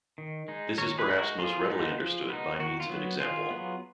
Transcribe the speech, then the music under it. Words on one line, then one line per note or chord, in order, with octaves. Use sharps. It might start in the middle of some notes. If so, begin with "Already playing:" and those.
This is perhaps most readily understood by means of an example.
D#3
G#3 D#4
D#3 A#4 C#5
G#4 B4
G#3 D#4
F#4 A#4
F3 F4 G#4
B3 D#4
F3
B3 D#4
D#3 F#4
F4
F#3 B3
D#3 F4 G#4
F#3 B3